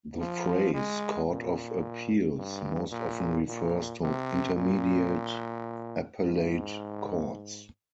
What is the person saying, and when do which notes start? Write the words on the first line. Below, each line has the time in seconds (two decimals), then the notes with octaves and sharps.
The phrase "court of appeals" most often refers to intermediate appellate courts.
0.20 F3
0.74 G#3
1.29 A#2
2.37 G2
2.92 A#2
3.47 A#2
4.02 C3
4.56 A#2
6.20 G#2